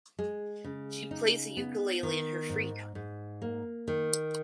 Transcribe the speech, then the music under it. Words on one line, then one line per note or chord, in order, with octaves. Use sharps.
She plays the ukulele in her free time.
G#3
C#3
D#4
B3
D#3
G#2
G#2
A#3
D#3